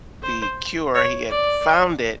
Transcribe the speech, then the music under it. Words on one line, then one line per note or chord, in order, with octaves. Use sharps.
the cure he had found it,
C5
C#5
D5